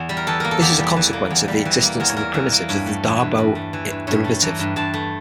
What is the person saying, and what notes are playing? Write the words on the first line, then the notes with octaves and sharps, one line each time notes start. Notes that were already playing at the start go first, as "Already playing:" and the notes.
This is a consequence of the existence of primitives of the Darboux derivative.
Already playing: E2
G3
A#4
E3 A4
A#3 A#4
A4
E2 G4
G3
E3
A#3
E2
G3
E3
A#3
E2 A#4
C#5
G3 A#4
E3 A#4
A#3
G2 C#5
A3
E3
G2
G2
A3
E3
G2
G2 C#5
A3
E3 A#5
G2
G2 A5
A3